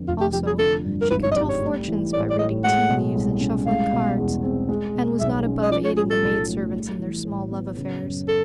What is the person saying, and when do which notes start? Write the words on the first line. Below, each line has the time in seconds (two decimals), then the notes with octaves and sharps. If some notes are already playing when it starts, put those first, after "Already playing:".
Also, she could tell fortunes by reading tea-leaves and shuffling cards, and was not above aiding the maid servants in their small love affairs.
Already playing: F2 D3 B3
0.08 F1 F4
0.21 G4
0.33 F3 G4
0.47 G#4
0.59 D3 A4
0.85 G2
1.01 A#4
1.10 G#1 B4
1.23 C#5
1.32 D#5
1.36 G3 D5
1.49 C#5
1.61 A3
1.87 E3
2.13 A2 D5
2.30 D5
2.39 A2 D#5
2.64 G#3 F#5
2.89 B2
3.15 C2
3.41 C#4
3.66 G#3 F5
3.93 B2
4.18 E2
4.43 C4
4.69 G#3
4.95 B2
5.20 B1 E5
5.46 C#4
5.63 D#5
5.71 F3 D5
5.85 C#5
5.97 A2 G#4
6.10 A4
6.23 B1
6.49 A3
6.74 G3
6.99 E3
7.25 A2
7.51 B3
7.77 C#3
8.02 F#2
8.28 A4